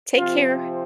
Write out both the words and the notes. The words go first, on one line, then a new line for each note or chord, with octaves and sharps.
take care.
C3 F3 C4 F4